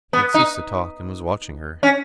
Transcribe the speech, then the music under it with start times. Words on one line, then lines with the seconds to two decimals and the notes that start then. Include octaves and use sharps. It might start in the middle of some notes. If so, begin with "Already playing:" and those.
He had ceased to talk, and was watching her.
0.13 B3
0.34 D#4
1.83 C#4